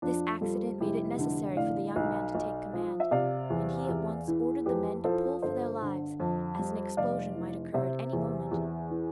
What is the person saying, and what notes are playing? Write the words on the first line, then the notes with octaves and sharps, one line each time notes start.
This accident made it necessary for the young man to take command, and he at once ordered the men to pull for their lives, as an explosion might occur at any moment.
F2 D4 F4
G3 F4 A4
F1 E4 G4
D3
A2 D5 F5
B1
B1
F3
E5
C3 D5 F5
E2
E2
E3
F2 G4 B4
F3 A4 C5
G1 A4 C5
D3
F2
G3
F1 D5 F5
E3
C3 C5 E5
E2
E2
E3